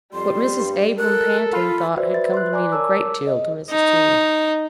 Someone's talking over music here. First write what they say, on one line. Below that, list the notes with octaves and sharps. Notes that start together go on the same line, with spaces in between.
What Mrs. Abram Pantin thought had come to mean a great deal to Mrs. Toomey.
F2 G3 C6
G2
A4 A#4 F#6
F4 B5
F#4 B4 C5 D5 E5
B4 E5 A6
C6 F#6
D5 G#5 A#5 D6
A#4 C#5 A5 D6 E6
D#5
D#4